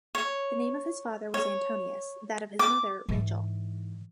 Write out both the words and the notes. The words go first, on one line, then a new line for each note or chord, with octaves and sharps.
The name of his father was Antonius, that of his mother Rachel.
C#5
C#5
D6
G#2 E3